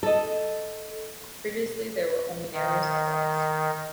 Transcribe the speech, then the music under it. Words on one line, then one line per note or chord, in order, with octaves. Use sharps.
Previously, there were only narrow sidewalks.
A4 D#5
D#3